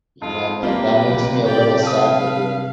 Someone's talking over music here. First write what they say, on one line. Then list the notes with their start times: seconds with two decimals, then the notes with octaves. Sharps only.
Yeah, man. That makes me a little sad to hear.
0.22 F2 F4
0.63 F#3 A#3 C4 F4 G4 B4
1.14 C3 F#3
1.45 G4 D5 G5
1.83 B4 F5 A5 D#6